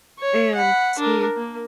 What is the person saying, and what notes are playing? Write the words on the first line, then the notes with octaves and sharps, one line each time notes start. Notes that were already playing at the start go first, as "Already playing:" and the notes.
and see
C#5
F#5 B5
D4 A#4
A#3